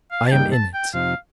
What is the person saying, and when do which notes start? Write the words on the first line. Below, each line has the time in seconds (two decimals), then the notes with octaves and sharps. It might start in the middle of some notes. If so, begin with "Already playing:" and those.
I am in it.
0.11 F5
0.27 A5
0.32 G2 D#3 G3 A#3 D#4 G5
0.52 A5
0.74 G5
0.93 F2 C3 F3 C4 D#4 F5